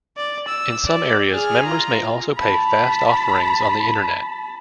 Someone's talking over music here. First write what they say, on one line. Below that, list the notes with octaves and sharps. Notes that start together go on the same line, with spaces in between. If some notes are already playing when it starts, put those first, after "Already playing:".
In some areas, members may also pay fast offerings on the Internet.
D5
E6
D5
G#4 F6
F4 A#5
A5 B5